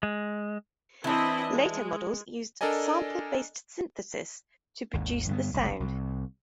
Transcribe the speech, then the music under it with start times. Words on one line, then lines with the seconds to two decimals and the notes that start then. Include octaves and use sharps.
Later models use sample-based synthesis to produce the sound.
0.03 G#3
1.04 E3 C4 D4 E4 D#5
1.51 G#3
2.61 D4 A4 A#4 D5 D#5 G#5
4.93 G#1 D#2
5.29 G2 D3 A3 B3
5.54 F#1 C2
5.80 C2